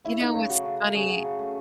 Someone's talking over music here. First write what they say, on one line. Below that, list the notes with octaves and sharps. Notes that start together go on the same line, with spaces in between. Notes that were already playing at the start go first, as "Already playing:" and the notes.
You know what's funny?
C#3 E4
A3 D#4
C#3
F#3 F#4
C#3
A3
C#3 G#4
F#3
C#3
A3